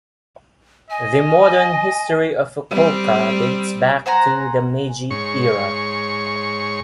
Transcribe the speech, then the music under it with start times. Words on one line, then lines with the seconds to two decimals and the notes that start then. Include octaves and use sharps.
The modern history of Fukuoka dates back to the Meiji era.
0.90 D#5 G#5
2.71 G3 C4
4.06 C5 F#5 G#5 A#5
5.11 G#2 C#5 C#6